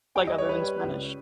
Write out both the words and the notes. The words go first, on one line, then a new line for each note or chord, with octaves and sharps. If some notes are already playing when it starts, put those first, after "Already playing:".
Like other than Spanish?
G3 G5
D#5
G3 C#5
B4
G3
C#2